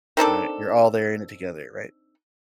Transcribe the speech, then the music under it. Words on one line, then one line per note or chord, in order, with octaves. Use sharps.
ya you're all there in it together, right?
D#3 C4 D4 A4